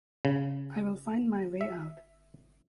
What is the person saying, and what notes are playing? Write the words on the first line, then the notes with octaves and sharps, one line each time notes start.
I will find my way out.
C#3
E5